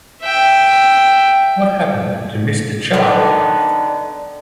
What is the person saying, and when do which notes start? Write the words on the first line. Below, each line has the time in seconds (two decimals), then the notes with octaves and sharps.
What Happened to Mister Cha?
0.22 E5 G5
2.93 D3 D#3 B3